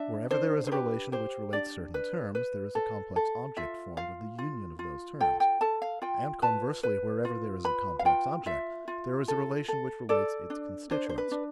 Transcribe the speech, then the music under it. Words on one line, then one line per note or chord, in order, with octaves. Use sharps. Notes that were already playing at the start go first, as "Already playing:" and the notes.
Wherever there is a relation which relates certain terms, there is a complex object formed of the union of those terms; and conversely, wherever there is a complex object, there is a relation which relates its constituents.
Already playing: D4 E5
D4 C5
C5
G4 B4
G4 C5
D4 D5
B4
B4
A4
A4
F4 E5
F4 F5
F4
F4
A4 G5
G5
A4 A5
F5
F4 G5
B4 A5
B4
F4
B4 B5
F5
F4 G5
F4 E5
F4
A4
A4
A4 D5
D4
D4 C5
C5
B4
D4